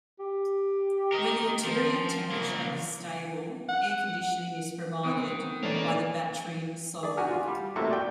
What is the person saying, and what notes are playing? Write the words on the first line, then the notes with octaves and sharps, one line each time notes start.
When the interior temperature is stable, air conditioning is provided by the battery solely.
G4
A#4 D#5
D#3 F3
C#3 A#3
F#5
D#3 B3 C4
E3 A3 A#3 C#4 D5
G#4 D5
F#4 G4 F#5 G#5 F6
F4
G3
A2 C3 A3 A#3 F#4
D5 G5